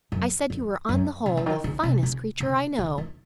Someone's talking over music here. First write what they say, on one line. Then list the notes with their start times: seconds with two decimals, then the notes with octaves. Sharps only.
"I said you were on the whole the finest creature I know."
0.12 F#2
0.50 F2
0.89 F#2
1.26 C#3
1.37 C#3
1.46 D#3
1.64 C#3
1.83 C3
2.03 C#3
2.40 C#3
2.79 C#3
2.98 D#3